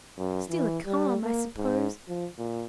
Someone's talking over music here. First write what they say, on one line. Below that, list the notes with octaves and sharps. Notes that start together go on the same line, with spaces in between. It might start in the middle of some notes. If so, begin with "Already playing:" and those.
Still a calm, I suppose?
F#2
E3
G3
A#3
G#2
F3
A#2